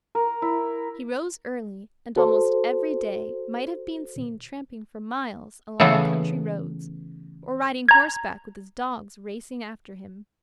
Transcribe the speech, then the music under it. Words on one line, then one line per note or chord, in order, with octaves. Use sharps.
He rose early and almost every day might have been seen tramping for miles along the country roads, or riding horseback with his dogs racing after him.
A#4
E4
F#4 A4 C5
C#3 E3 A3 B3
A#5 G#6